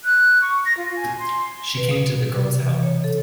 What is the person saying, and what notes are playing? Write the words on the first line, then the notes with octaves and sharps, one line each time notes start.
She came to the girl's help.
F#6
C#6
A#6
F4
G#5
C6
B4
B2
C3
E3
C#5
A4